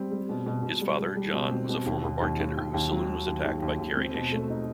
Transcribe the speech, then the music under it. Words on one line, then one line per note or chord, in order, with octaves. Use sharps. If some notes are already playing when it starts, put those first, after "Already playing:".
His father, John, was a former bartender whose saloon was attacked by Carrie Nation.
Already playing: G3 C4
G3
B2
B2
B2
G3
G3
G3
B2
C4
B2
D#2
D#2
D#2
D#2
D#2
D#2
F#3
F#3
D#2
D#2
D#2
D#2
C4
B2
A3
D#4